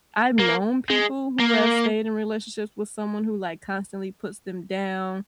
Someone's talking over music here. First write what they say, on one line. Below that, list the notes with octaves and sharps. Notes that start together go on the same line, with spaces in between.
I've known people who have stayed in relationships with someone who, like, constantly puts them down
A#3
G#3
A#3